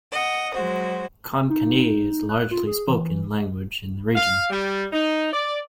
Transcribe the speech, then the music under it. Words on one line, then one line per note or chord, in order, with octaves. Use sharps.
Konkani is largely spoken Language in the region.
D#5 F#5
F#3 G#3 F#4 C5
D#4
F#6
F4
G#4
E3
F5
G3
D#4
D5